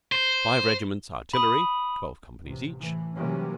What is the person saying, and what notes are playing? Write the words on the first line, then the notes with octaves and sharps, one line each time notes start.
Five regiments artillery, twelve companies each.
C5
B5 D#6
A1 C3
A2 E3
C3 E3 F#3 G3 A#3 C#4